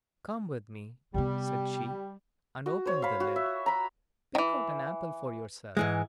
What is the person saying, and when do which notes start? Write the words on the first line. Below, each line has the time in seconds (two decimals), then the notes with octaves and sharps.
"Come with me," said she, and opened the lid; "pick out an apple for yourself."
1.14 C3 G3 B3
2.66 F#4
2.85 C5 C#5
3.02 F5 B5
3.20 F#4
3.36 E5
3.66 A#5 B5
4.35 D#3 E3
5.77 G#2 E3 G#3